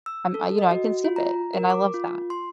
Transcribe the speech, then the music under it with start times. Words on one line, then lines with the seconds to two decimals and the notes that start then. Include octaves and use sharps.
I'm, you know I can skip it, and I love that,
0.06 E6
0.34 A4
0.58 D#5
0.71 F#4
1.05 F4
1.16 A#5
1.54 A#4
1.70 D6
1.94 F4
2.30 C6